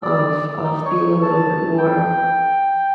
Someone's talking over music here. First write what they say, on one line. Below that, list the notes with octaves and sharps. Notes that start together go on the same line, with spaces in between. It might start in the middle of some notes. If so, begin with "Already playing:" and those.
of of being a little bit more,
D5
D#4
C#5
A5
G5